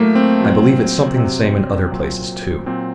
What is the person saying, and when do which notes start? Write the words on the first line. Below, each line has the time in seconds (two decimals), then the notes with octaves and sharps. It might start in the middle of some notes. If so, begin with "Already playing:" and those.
I believe it's something the same in other places too.
Already playing: A2 F#3 A3 A#3
0.15 C4
0.41 A#2 F#3
1.16 C3 F#3
1.91 A#2 F#3
2.66 A#2 F#3 C4